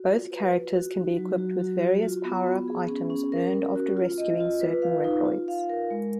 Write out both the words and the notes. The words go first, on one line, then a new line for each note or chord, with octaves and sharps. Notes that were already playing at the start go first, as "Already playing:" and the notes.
Both characters can be equipped with various power-up items earned after rescuing certain Reploids.
Already playing: F#4
F4
B4
F4
F#4
D#4
F#3
F#4
F#4
F#4
F4
B3
B3
G#4
C#4
C#4
A#4
A#4
F#4
F4
D#5
F4
B4
F5
D#4
F4
F5
A#4
G#3